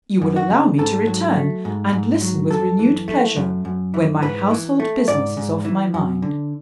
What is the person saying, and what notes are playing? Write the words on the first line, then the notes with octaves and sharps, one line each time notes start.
You will allow me to return, and listen with renewed pleasure, when my household business is off my mind.
F#2
F#4
C#3
G#2 A4
F#3
A3
G#2
G#2
F#3
F#2 A4
E3
A3
F#2
F#2
E3
G#2 B4
E3
A3
G#2 D5
G#2
E3
F#2
D3